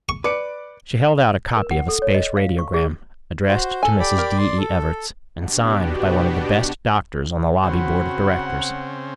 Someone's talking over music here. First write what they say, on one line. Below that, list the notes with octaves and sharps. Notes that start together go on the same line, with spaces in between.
She held out a copy of a space radiogram, addressed to Mrs. D. E. Everts, and signed by one of the best doctors on the Lobby Board of Directors.
C#6
B4 D5 D6 C#7 D7
A#4
F#5
A4
C#5
D#5
F5
C#6
G#4
F#4 C5
A4 G#5
G4 D5 B5
A#4
D5 C6
A4
B2 B3 D4 F#4 G4
C#3 C4 F#4 F#5 B5